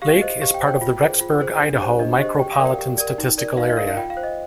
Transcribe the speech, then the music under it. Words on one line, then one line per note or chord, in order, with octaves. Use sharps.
Lake is part of the Rexburg, Idaho Micropolitan Statistical Area.
G4 F5
C5 D#5
G4 F5
G5
C5
G5
F4
G#4 C5
F4
G#4 C5
D4
G4 C5
D4 D#5
G4 C5 D#5
G4 G5
F5
A#4 D5
G5
G4
A#4 D5
D#4
A#4 D5
D#4 F5
D#5
A#4 D5 F5
F5
F4 G5
F5
C5
D#5